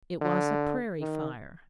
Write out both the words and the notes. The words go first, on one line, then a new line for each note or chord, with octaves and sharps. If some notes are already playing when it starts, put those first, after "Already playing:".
It was a prairie fire.
D3
D#3